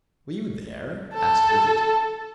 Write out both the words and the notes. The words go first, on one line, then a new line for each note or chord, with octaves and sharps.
"Were you there?" asked Brigitte.
A4